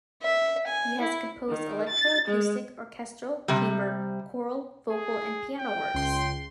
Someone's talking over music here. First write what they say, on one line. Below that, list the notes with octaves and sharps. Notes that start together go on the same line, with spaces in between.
He has composed electroacoustic, orchestral, chamber, choral, vocal and piano works.
E5
G#5
E4
D#3
A6
G#3
C3 G3
G#4
G5
C#2 C6